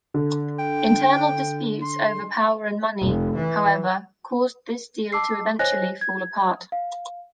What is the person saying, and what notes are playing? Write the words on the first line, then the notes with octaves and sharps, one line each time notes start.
Internal disputes over power and money, however, caused this deal to eventually fall apart.
D3
G5
C6
F1
E3
A5 D6 E6 C7
C5 C#5 D#5 G#5 F#6 A#6
G#6
F5